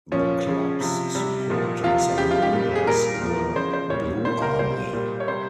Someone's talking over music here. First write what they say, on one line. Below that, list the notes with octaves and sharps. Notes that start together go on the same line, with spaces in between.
The club's supporters are known as the "Blue Army".
A#2 F3 C#4
C#3 F3
C3 F3
C3 G3
A#2 F3
C3 F3 F4
C#3 F3 G4
F4
G4
A#2 G3
G#4
A#2 G3 A#4
A#2 F3
C#3 F3 C5
C5
A#2 G3 C#5
A#2 G3 C5
A#4
A#2 G3 C5
A#2 G3
C#5
C3 G3 C5